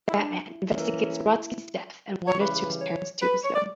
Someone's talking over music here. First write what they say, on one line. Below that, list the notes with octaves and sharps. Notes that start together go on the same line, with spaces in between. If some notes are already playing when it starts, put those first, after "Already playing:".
Batman investigates Bronski's death and wanders to his parents' tombstone.
E4
D4
E4
E3 A#3 C#4
C#5
C#3 E3 G3 B4
C#5
B4
C#5
D5